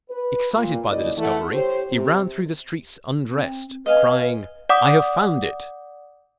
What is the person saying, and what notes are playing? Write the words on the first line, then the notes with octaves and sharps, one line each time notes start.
Excited by the discovery, he ran through the streets undressed, crying, "I have found it."
B4
A#2
F#1 B2 D5 D#5
E3 A3 F#5
G4 C5 C#5
C3
C4
B4 D#5 F5 G#5
D5 F#5 D6 D#6